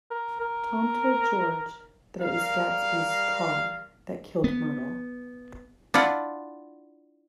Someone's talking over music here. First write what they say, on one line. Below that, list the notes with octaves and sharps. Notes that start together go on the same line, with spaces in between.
Tom told George that it was Gatsby's car that killed Myrtle.
A#4
A#4
G3 A#4 F5
B3
D4 E4 F4 F#5